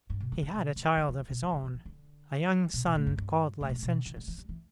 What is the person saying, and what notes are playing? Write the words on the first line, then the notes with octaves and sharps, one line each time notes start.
He had a child of his own, a young son called Licentius.
G2
B2
E3
D3
B2
D3
E3
E3
D3
B2
E3
G3
E3
E3
D3
B2
B2
A2
G2
G2
A2
B2
A2
B2
E3
G3
E3
G3
E3